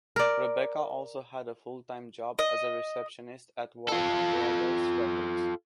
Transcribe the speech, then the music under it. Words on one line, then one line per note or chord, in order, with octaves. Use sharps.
Rebecca also had a full-time job as a receptionist at Warner Brothers Records.
A#4 D5
D#5
F4 A4